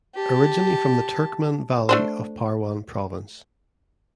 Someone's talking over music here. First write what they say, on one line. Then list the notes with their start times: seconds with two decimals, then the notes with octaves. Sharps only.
Originally from the Turkman Valley of Parwan Province.
0.15 G4 A5
1.89 A3 D4 C5